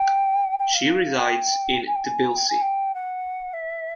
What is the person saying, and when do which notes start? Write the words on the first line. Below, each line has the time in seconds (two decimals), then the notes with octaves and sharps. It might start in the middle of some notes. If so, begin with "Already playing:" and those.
She resides in Tbilisi.
Already playing: G5
0.59 G5
0.74 F5
1.18 G5
1.87 G#5
1.95 G5
2.05 G#5
2.35 G5
2.49 G#5
2.61 G5
2.94 F#5
3.53 E5